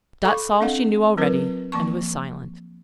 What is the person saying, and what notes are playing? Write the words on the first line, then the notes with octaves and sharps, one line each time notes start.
Dot saw she knew already, and was silent.
A4 F5 B5 C#6 D6
C4 D4 A4 D#5 F5 F#5
F#3 C4 F4 A#4 B4
F3 A#3 A5 C#6